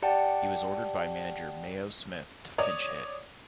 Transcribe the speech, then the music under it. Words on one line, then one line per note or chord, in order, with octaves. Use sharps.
He was ordered by manager Mayo Smith to pinch hit.
G4 D5 F#5 G5 A5
C#5 D5 D#6